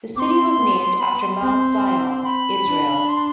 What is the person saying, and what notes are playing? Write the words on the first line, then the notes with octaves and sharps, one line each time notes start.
The city was named after Mount Zion, Israel.
C4 C6 D6
B3
B5
C6
C4
B5
D4
C6